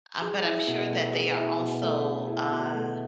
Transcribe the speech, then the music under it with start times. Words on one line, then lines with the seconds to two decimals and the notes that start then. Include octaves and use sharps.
Um, but I'm sure that they are also, uh,
0.22 G#4
0.44 E4
0.67 B2
0.90 A3
1.13 G#4
1.36 E4
1.59 B2
1.82 A3
2.05 G#4
2.27 E4
2.51 B2
2.73 A3